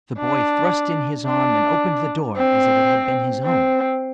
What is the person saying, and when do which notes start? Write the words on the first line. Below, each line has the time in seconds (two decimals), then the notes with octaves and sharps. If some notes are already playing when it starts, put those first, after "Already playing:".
The boy thrust in his arm and opened the door as if it had been his own.
0.19 D4
1.28 D4
2.37 C4
3.45 C4